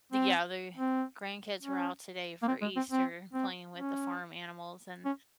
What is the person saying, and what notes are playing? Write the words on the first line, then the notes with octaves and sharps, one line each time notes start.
the Yeah, their grandkids were out today for Easter, playing with the farm animals, and
C4
C4
C#4
A#3
C4
G#3
C4
C4
C4
C#4
C#4